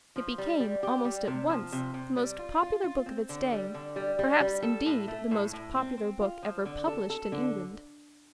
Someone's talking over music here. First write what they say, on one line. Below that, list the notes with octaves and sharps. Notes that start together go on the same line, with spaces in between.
It became, almost at once, the most popular book of its day, perhaps, indeed, the most popular book ever published in England.
F3
G3
G3
G4
G3
C3
F3
C3
C3
G3
F4
F4
F4
C4
D3
G3
D3
G3
G3
G3
A4
A2
A3
A2
A2
C4
C4
F4
F3
D3
A4
A4
D3